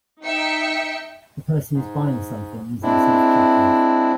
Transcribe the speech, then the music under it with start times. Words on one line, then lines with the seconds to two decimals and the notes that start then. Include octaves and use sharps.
A person is buying something using selfcheckout.
0.23 D#4 E5 G5 C#7
1.74 G#2
2.83 G#3 C4 D4 E4